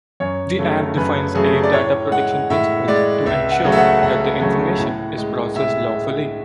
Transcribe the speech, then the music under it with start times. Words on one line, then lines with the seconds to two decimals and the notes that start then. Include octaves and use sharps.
The Act defines eight data protection principles to ensure that information is processed lawfully.
0.20 F#2 C#5
0.59 C#3 F#3 A3
0.96 F#2 B4
1.35 C#3 F#3 A3 G#4
1.63 D5
1.73 A2 C#5
2.11 G#3 F#5
2.50 A2 E5
2.88 G#3 D5
3.26 C#2 E5
3.52 F#5
3.64 C#3 F#3 A3
3.72 E5
3.77 F#5
4.02 C#2 F#5
4.40 C#3 F#3 A3
4.79 A2
5.18 G#3
5.55 A2 E5
5.94 G#3